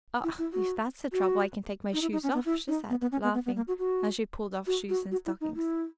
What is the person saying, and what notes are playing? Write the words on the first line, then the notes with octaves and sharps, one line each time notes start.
"Oh, if that's the trouble I can take my shoes off," she said, laughing, as she pulled off shoes and stockings.
E4
E4
F#4
F#4
D#4
E4
D#4
C#4
B3
E4
D#4
B3
B3
C#4
B3
B3
B3
A#3
F#4
F#4
F#4
F#4
F#4
E4
D#4
E4